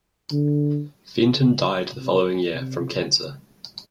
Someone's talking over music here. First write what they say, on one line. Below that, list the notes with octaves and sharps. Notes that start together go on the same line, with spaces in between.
Fenton died the following year from cancer.
D3
C3
C3